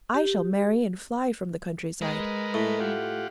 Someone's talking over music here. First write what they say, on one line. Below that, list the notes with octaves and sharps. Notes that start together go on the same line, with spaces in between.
I shall marry and fly from the country-side.
G4
G#3 A#4 B4 D#5
A2
F4 G4 F#5